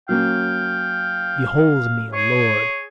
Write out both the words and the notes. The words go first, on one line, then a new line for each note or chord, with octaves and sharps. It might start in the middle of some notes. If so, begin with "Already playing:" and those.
Behold me a lord!
F#3 A#3 C#4 F5 G5
G#4 C#5